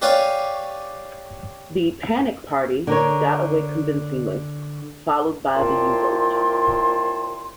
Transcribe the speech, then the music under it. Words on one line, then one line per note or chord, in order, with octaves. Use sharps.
The 'Panic party' got away convincingly, followed by the U-boat.
G4 B4 C#5 D5 F5 G#5
D3 A#4 C#5
C2 A#2 C#5 G5 A5 C6